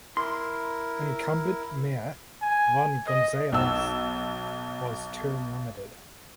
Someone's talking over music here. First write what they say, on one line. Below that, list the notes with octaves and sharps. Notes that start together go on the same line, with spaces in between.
Incumbent mayor Ron Gonzales was term limited.
E4 A#4 C6
G#5
D#5
B1 E6